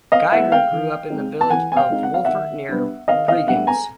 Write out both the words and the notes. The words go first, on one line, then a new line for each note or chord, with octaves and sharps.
Geiger grew up in the village of Wolfurt near Bregenz.
D#5 F5
G#3 B3 E4 E5 F#5
F5 G5
E3
G#3 C4 D#4
A5
E3 F#5 G#5
G#5
F5 G5
G#3 C4 D#4
F#5
F5
D#3 E5 F#5
G3 B3 D4
D#3 D#5 F5
D#5 F5
G3 B3 D4 E5 F#5
G#5 A#5